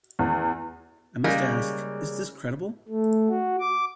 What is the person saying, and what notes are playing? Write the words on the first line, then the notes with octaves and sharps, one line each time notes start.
I must ask: 'Is this credible?
E2
C#3 G3 G#3 A#3
A3
F#4
D6